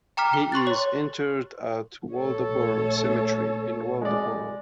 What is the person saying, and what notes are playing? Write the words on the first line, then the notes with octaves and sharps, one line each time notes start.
He is interred at Waldoboro Cemetery in Waldoboro.
G5 A#5 D6 F6 B6
G5 G7
C6 C#6 F#6 A6
C#5
A#1 A3 A4 C#5
G#3 D5